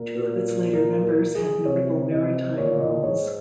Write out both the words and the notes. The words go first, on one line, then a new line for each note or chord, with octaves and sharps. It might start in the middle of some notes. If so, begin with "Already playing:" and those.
Two of its later members had notable maritime roles.
Already playing: A#2 A#4
A#4
A#4
G#4
C3 C#5
C3 D#5
A#2 C#5
D#5
G#2 C#5